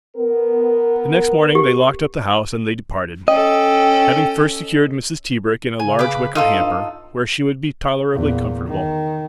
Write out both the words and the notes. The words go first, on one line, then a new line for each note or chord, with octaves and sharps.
The next morning they locked up the house and they departed, having first secured Mrs. Tebrick in a large wicker hamper where she would be tolerably comfortable.
B3 A#4
G4
C#4 A4 D#5 G5
C#3 G#5
B4 D6
D#4 F4 A4
G2
E2 A#2
D#3